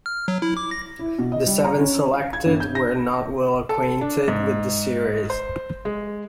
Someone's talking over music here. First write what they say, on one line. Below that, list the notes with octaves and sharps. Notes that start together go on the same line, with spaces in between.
The seven selected were not well-acquainted with the series.
F6
F#3
E4
D6
A#6
E4
B2
D#5
G3
A#5
C#4
F5
G#6
G1
G6
A#6
A4
D4
G#2
C5
G#3